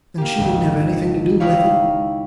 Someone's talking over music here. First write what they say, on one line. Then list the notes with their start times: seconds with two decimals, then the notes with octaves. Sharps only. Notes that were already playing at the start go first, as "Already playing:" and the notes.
And she wouldn't have anything to do with him.
0.18 A#3 G4
0.38 G#1 C#2
1.40 D#4 E4 G4 C#5 F5